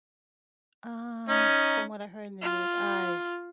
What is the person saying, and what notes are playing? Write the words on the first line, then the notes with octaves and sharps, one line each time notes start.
Uh, from what I heard in the news, I
C#4 D#4
F4